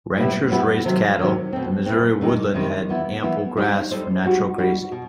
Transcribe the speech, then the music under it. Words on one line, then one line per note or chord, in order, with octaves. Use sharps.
Ranchers raised cattle; the Missouri woodland had ample grass for natural grazing.
A2 G3 B3 E4 B4
A2 G3 B3 E4 B4
C3 D#3 F#3
C3 D#3 F#3
B2 A3 C4
B2 A3 C4
C3 D#3 G3 D#4
C3 D#3 G3 D#4
E3 B3 E4
E3 B3 E4
G3 D#4 A4 C5
G3 D#4 A4 C5
G3 D#4 F#4
G3 D#4 F#4
B2